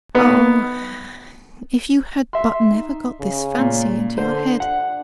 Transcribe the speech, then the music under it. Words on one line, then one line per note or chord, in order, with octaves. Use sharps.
'Ah! if you had but never got this fancy into your head!
B3 D#4
E5 C6
D#4
C#3
A#2
D3 C5
D4 F#5